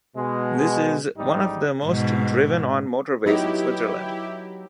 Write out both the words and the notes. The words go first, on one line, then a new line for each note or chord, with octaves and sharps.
This is one of the most driven-on motorways in Switzerland.
B2 G#3
A1 G#2 G3 D#4 G4
G#2 B2
F#3 B3 D#4 E4 G4